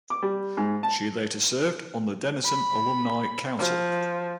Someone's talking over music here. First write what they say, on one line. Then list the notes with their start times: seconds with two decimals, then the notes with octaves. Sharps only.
She later served on the Denison Alumni Council.
0.10 D6
0.23 G3
0.57 G#2
0.83 A5
2.45 B5
3.59 F3